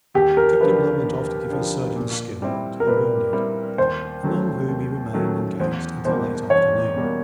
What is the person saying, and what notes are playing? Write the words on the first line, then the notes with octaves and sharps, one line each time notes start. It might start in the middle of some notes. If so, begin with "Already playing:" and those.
Captain Blood went off to give his surgeon's skill to the wounded, among whom he remained engaged until late afternoon.
D#2 G4
A#4
D3 F3 B4
D#2
D3 F3
A#2
G3 C4 E4
A#4
A#2 B4
G3 C4 E4
D#2 C5
D#3 F#3 A3 C#4
D#2
D#3 F#3 A3 C#4
E2 C5
B2 G3 A#3 C5
E2 C#5
B2 G3 A#3